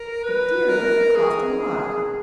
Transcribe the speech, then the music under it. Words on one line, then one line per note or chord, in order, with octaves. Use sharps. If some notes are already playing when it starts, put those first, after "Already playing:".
But, dear, that would cost a lot!
Already playing: A#4
B4
A#4
G#4